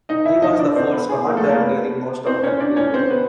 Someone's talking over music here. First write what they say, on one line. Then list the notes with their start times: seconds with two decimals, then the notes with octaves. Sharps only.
He was the fort's commander during most of that period.
0.09 D#4 D#5
0.25 E4 E5
0.42 D#4 D#5
0.59 D4 D5
0.76 C4 C5
0.93 B3 B4
1.09 G#4
1.27 A#3 A#4
1.37 A3 A4
1.49 A#3 A#4
1.60 B3 B4
2.26 C4 C5
2.43 C#4 C#5
2.60 D4 D5
2.76 C#4 C#5
2.94 C4 C5
3.10 B3 B4